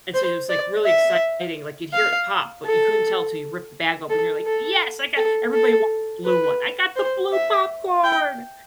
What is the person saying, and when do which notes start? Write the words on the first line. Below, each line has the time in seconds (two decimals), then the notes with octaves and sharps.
and so it was, like, really exciting, like, you'd hear it pop, but you couldn't tell till you ripped the bag open, you're like, "Yes, I got" everybody wanted blue one, "I got the blue popcorn!"
0.14 C5
0.49 D5
0.85 E5
1.93 F5
2.65 A4
4.10 A4
4.46 A4
5.16 A4
5.53 A4
6.25 B4
6.96 C5
7.32 E5
8.04 G5